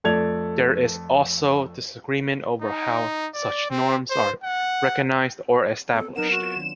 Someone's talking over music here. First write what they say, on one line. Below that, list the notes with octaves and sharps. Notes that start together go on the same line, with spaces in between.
There is also disagreement over how such norms are recognized or established.
F2 A3 A4 D5 G#6 F7
D#4
D5
C4
C5
F#5
B3 C4 A4
F#3 D#4 A#4 B4 F#5 E7
F#4
F4
D#3 F#3 D4